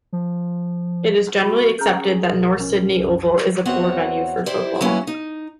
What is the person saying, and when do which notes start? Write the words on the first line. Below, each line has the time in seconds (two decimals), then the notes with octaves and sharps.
It is generally accepted that North Sydney Oval is a poor venue for football.
0.13 F3
1.41 F#4 B5
1.79 C#4 G#4 A#5 F6 G6
2.25 A#1 B2 F3 A#4
2.59 C#4
2.98 C2 F#2
3.65 E2 C4 F#4 C#5 F#5
4.46 E4 G4 C5 D5
4.81 F#3 A#3 C#4 E4 B4
5.07 D#4